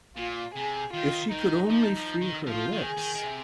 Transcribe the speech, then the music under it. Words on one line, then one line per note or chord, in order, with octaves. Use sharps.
If she could only free her lips!
A#2 F4
C3 G#4
D#3 F4
D#3 D#4
F3
F3
D#3
F3 F4
D#3
G#4
D#3
D#3
C3